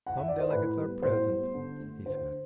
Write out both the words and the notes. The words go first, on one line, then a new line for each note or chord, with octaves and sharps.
"Some delegates are present," he said.
F#5
E5
D5
C5
A2 B4
G3 B3
A2 C5
G3 B3
D3
A3
D3 C5